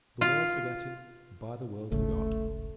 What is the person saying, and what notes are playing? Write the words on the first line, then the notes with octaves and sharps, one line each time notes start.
"The world forgetting, by the world forgot."
F4
D1 G#1 C#3 A3